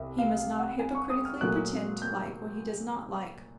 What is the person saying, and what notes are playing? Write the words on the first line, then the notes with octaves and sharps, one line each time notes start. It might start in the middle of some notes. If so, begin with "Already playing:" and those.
He must not hypocritically pretend to like what he does not like.
Already playing: C2 E5
F5
F5
F#5
G#5
C#6
D#6
F6
A#2 F#3 A3 F#6
G6